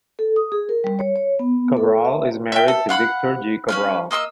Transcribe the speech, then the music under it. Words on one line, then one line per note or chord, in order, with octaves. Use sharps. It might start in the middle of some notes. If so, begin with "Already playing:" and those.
Cabral is married to Victor G. Cabral.
A4
D#6
G#4
A#4
G3
C#5
C#5
B3
A4
E5
E5 G5
A4
F5 F#5 B5 F#6
C#4 B4 F5
A#3 D#5 C6 E6